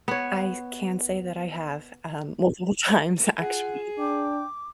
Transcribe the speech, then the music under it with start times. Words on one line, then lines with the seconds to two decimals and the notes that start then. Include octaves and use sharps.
I can say that I have, um, multiple times actually.
0.08 B3 C#5
3.41 F4 G#4 F#5
3.98 D4 G5 D6